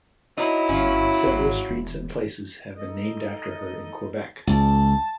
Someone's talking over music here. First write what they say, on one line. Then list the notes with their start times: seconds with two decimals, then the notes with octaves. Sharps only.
Several streets and places have been named after her in Quebec.
0.37 F#3 D#4 E4
0.69 G1 C#4 F4
1.26 G#1
1.69 E1
2.77 D#4 A4 D#5
4.47 C#2 A5